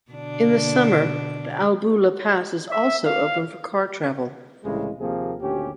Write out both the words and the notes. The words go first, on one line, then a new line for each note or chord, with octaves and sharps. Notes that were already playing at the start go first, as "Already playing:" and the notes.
In the summer, the Albula Pass is also open for car travel.
B2 D3 D4
E5
F5
C2 A2 C#3 E3 G#3
D#2 C3 F3 A#3 C4 G#4
G#1 D2 A#2 C#4 G4